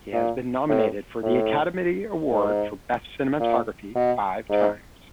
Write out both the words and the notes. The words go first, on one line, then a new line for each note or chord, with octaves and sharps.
He has been nominated for the Academy Award for Best Cinematography five times.
A#2
A2
A2
G#2
A#2
B2
G#2